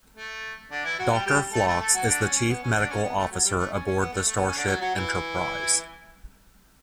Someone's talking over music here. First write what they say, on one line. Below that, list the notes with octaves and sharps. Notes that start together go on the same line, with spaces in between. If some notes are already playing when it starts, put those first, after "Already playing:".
Doctor Phlox is the chief medical officer aboard the starship "Enterprise".
A3
D3 D4
E3 E4
F#3 F#4
G3 G4
G3 G4
A3 A4
A3 A4
A3 A4
F#3 F#4
D3 D4
C#4
C#4
B3
C#4
D3 D4
C#4
B3
A3
F#3
G3
A3
C#4
C#4
B3
A3
A3
B3
C#4
D3 D4
F#3 F#4
F#3 F#4
E3 E4